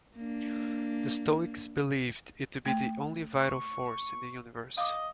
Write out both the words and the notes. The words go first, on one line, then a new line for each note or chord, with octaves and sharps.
The Stoics believed it to be the only vital force in the universe.
A#3 D4
A3 G5
C#6
D#5 F5 D6